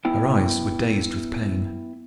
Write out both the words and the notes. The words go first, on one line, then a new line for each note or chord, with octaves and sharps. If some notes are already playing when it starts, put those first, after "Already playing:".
Her eyes were dazed with pain.
B3 E4 G5